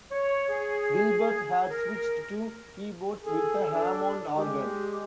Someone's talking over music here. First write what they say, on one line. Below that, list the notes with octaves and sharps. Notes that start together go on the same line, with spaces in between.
Gilbert had switched to keyboards with a Hammond organ.
C#5
G#4
A#4
G#4 A4
D4
G#3 G4